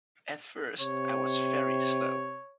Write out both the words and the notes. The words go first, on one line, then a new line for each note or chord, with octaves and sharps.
At first I was very slow.
C3 C#5